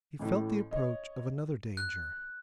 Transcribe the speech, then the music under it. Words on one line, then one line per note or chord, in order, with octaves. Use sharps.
He felt the approach of another danger.
A1 A2
C#5 D#5
F#6